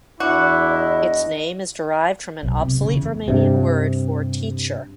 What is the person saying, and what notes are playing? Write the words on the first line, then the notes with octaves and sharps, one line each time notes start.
Its name is derived from an obsolete Romanian word for "teacher".
E2 D4 E4 F#4 D6
D#5
B1
C3
C#3
E2
G2 C3